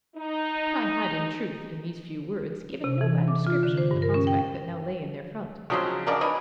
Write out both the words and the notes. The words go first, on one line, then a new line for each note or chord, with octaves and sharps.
Hawkeye had, in truth, in these few words, given no bad description of the prospect that now lay in their front.
D#4
C3
E3
E3
D6
F4
D3
C5
G2
A#4
C#4
G5
C#3 F3 F#3 C4 D#4 G#4
C#3 F#3 D4 A#4 D5 D#5
D#4 B4 C#5